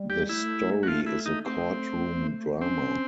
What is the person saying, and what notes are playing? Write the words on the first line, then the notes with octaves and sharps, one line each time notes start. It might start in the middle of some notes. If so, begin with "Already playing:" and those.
The story is a courtroom drama.
Already playing: G3
G4
A3 E4
F#4
F4
E4
D#4
A3 C4
C4 C#4